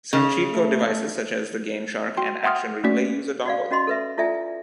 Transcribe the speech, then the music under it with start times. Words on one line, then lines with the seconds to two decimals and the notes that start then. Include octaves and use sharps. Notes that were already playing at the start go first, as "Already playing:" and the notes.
Some cheat code devices, such as the GameShark and Action Replay use a dongle.
0.13 C#3
0.51 A3
2.17 F#4 G5 C6
2.43 E5 F#5 G5 C6 D#6 F6
2.84 A3 A#3 C#4 F#4 D5 B6
3.46 F#4 D5 F5
3.71 C#4 F#4 D#5 B5 C6
3.87 A4 B4 E5
4.17 E4 F4 A4 D5 E5 G#5